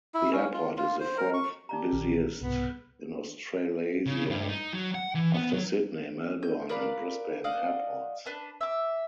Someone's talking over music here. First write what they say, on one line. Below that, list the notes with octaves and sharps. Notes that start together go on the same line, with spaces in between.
The airport is the fourth busiest in Australasia after Sydney, Melbourne and Brisbane airports.
E4
C#4
F4
F4
C5
A#4
C#6
D#4 G4 D5 A#5
A#1 D#3
C2 G#2 B2 B3
C#3
G2
D#4
F#3
F#5
E3
B3
F#3
G6
A#4 B4 D5 F5
D5 D#5 F5 F#5
D4 B4 A5
E5 D6